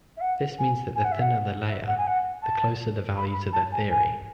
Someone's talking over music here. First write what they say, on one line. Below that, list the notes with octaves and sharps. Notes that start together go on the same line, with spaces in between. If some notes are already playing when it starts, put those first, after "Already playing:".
This means that the thinner the layer, the closer the value to the theory.
E5
F#5
G#5
G#5
F#5
E5
F#5
E5
F#5
G#5
F#5
A5
B5
B5
A5
G#5
G#5